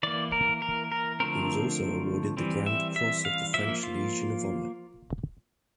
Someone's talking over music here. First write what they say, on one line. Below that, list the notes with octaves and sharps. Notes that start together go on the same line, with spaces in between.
He was also awarded the Grand Cross of the French Legion of Honour.
E3 A#3 D5
A#4
A#4
A#4
D3 F3 A3 C4 A#4
E3 G3 C4
E5
E5
F5
F3 A#3 E5
F4